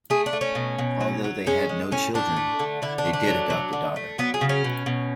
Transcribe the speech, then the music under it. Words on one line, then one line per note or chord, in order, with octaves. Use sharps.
Although they had no children, they did adopt a daughter.
A3 G#4
D4
A3
C#4
B2
B2
F#3
F#3
G#3 C#4
G#3
A2 C#4
A2 D4
A3
D3
D3 E4
D4
A3
D4
F#3
F#3
D3
A3
F#3 B3
G#4
C#3
C#4
B2
B2